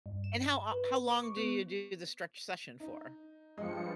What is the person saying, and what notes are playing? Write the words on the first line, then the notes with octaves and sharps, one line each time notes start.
And how o how long do you do the stretch session for?
G2
E7
B4
D6
C#6
B3
D#4
G2 F3 G#3 D#5 C#7